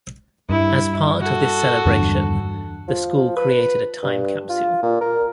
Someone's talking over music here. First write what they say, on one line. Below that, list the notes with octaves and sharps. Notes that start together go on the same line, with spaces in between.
As part of this celebration, the school created a time capsule.
G2 E4
F#4 A4
E2 G2 D3
F3
B4
G2
F4
A#2
A#4